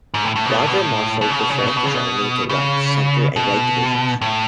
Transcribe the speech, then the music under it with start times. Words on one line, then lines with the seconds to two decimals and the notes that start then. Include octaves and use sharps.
Roger marshalled the Frankish army into left, center and right divisions.
0.14 G#2
0.25 A2
0.36 A2
0.46 B2
0.57 A2
0.67 B2
0.78 A2
1.21 B2
1.30 C#3
1.40 B2
1.49 C#3
1.59 B2
1.67 C#3
1.77 B2
1.86 C#3
1.95 B2
2.49 C#3
3.36 B2
4.21 A2